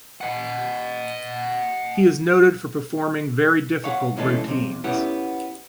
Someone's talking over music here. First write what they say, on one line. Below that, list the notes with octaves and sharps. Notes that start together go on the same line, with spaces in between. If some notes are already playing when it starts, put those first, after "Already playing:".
He is noted for performing very difficult routines.
D#5 F#5
C#5 F5 F#5
C#3 E3 G#3 A3 A4
B1 C3
B3 C#4 E4 G4 F#5